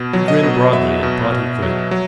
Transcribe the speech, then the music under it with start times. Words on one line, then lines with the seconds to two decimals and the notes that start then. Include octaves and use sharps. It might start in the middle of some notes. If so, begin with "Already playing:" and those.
He grinned broadly, and thought he could.
Already playing: B2
0.13 F#3
0.28 D#5
0.43 B2
0.72 F#3 E5
1.03 B2
1.32 B2
1.62 F#3
1.91 F#3